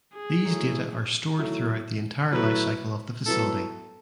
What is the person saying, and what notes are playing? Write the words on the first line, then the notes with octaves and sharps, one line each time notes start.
These data are stored throughout the entire life cycle of the facility.
G#4
F#3 A3 E4
F#3 A3 E4
F#3 A3 E4 B4
F#3 B3 E4 A4